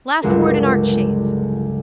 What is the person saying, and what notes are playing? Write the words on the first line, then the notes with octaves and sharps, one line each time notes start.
Last word in art shades.
G1 C#2 F#3 G#3 D4 A#4